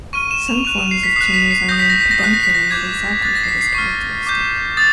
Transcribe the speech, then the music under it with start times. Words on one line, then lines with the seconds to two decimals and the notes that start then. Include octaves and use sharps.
Some forms of tumors are named pedunculated exactly for this characteristic.
0.13 C#6 F6 D#7
0.31 E7
0.48 F7
0.65 C#6 F#6 F7
0.78 E7
0.91 C7
1.03 B6
1.16 D#6 F#6 C7
1.34 B6
1.51 C7
1.69 D#6 G6 A#6
1.79 B6
1.90 A#6
2.01 B6
2.11 A#6
2.19 D#6 F#6 B6
2.34 A#6
2.43 B6
2.54 A#6
2.71 D6 G6 G#6
3.22 D6 F#6 A6
3.35 A#6
3.44 C7
3.48 B6
3.61 C7
3.74 C#6 F6
4.27 D6 G6
4.77 D#6 A6